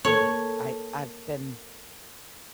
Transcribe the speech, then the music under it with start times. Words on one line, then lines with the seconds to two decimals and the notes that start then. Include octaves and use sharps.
I I've been
0.05 A#3 A4 C#5